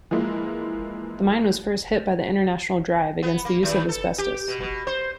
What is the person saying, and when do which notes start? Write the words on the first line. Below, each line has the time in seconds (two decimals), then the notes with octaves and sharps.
The mine was first hit by the international drive against the use of asbestos.
0.11 E3 F3 G#3 A#3 E4
3.23 B3
3.45 A#3
3.63 D#2
3.89 A4
4.18 G4
4.48 B2
4.60 B2
4.87 C5